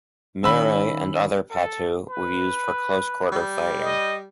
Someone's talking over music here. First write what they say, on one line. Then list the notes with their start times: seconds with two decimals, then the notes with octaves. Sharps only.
Mere, and other patu, were used for close-quarter fighting.
0.44 D#3 C#4 B5 E6
1.51 A4
2.09 B4
3.33 G3
3.81 D#5